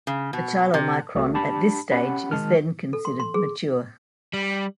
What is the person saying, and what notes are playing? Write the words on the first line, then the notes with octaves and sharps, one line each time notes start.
The chylomicron at this stage is then considered mature.
C#3
B2
C3
C2 A3 F#4
D4 G4 A5 B5
C#4 G4 F#5 B5
D#3 G#3 A5 F6
A4
C6
C6
G#4
G3